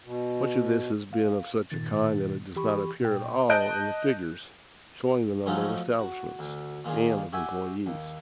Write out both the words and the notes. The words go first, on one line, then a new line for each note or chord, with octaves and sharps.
Much of this has been of such a kind that it does not appear at all in the figures showing the number of establishments and of employees.
B2
F5
G2 A#2 D#3 A6
E3 G4 B5 C#6
A#2 G5
D#5 A5 F#6 G6 D7
F3 F#3 A3 C#4 D#4 F4
F#4
D2
A#2 D#3 F4 G#4
F#4 G4 E5 G#5
D#2